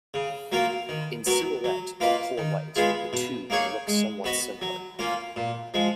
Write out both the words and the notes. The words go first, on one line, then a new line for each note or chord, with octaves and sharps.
In silhouette and poor light, the two can look somewhat similar.
C#3
F#3 A#3 F4 A#4
D#3
F#3 B3 F#4 A#4
F#3
A#3 F4 B4 D#5
D#3
G#3 B3 F4 G#4
B2
A#3 D#4 G#4 C#5
G#3
B3 F#4 B4 D#5
F#3
A#3 C#4 F4
A#2
F3 G#3